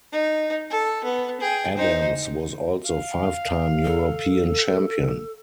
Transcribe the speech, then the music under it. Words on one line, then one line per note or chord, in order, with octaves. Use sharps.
Adams was also five-time European Champion.
D#4
A4
B3
G#4 G5
D#4 C5
F5
A4